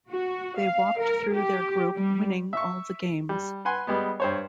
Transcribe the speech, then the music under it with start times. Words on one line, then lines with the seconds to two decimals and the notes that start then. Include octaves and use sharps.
They walked through their group winning all the games.
0.12 F#4
0.60 F5
1.00 A#4
1.34 G4
1.97 G3
2.53 E5 C#6
3.29 G3
3.65 B4 F#5 G#5 C6
3.87 G3 G#3 B3
4.20 G2 C5 C#5